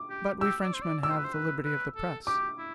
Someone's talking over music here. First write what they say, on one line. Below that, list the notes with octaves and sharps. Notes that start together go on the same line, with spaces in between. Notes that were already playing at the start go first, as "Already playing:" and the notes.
But we Frenchmen have the liberty of the press.
Already playing: D6
G4
G4 E6
D5
C5
D5
D5 E6
C5
B4
C5
B4
B4
A4
G4 D6
E4